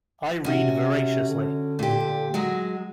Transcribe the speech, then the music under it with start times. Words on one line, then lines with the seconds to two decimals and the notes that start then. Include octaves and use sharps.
I read voraciously.
0.45 C3 C#4 F#4
1.28 D3
1.79 A#2 G4
2.34 F#3 G#3